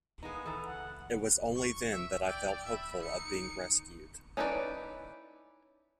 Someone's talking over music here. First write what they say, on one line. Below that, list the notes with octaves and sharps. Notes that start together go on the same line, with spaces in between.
It was only then that I felt hopeful of being rescued.
G#3 A#3 B3 D#4
E3 A4 A#5
F#5
C#6
E5
D5 G5
E5 B5
D#4 C#7
C#4 D#4 E4 B4 D5